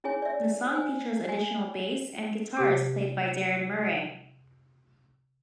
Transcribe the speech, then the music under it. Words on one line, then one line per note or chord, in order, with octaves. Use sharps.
The song features additional bass and guitars played by Darren Murray.
C#4 E4 G#4 C#5 G#5
D5 E5
C5 G#5
G#5
C3 G4 D6